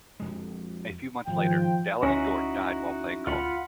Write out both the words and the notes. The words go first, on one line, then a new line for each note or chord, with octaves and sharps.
A few months later, Dallas Dort died while playing golf.
F2 G#3
G#1 F3 F4 G5
D2 C#4 D#4 E4 F#4
D2 F4 F#5 B5